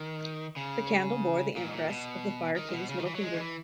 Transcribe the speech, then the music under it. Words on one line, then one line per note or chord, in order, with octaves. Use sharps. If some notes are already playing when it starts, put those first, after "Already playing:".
The candle bore the impress of the Fire King's middle finger.
Already playing: D#3
C#3
A#2
G#2
A#2
B2
D#3
A#2
B2
C#3
D#3
E3
F#3
G#3
D#3
E3